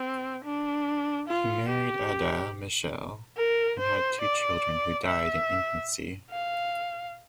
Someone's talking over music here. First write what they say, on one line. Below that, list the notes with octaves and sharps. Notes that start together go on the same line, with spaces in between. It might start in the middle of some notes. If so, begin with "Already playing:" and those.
He married Adah Michell and had two children who died in infancy.
Already playing: C4
D4
F4
G4
A#4
C5
D5
E5
F5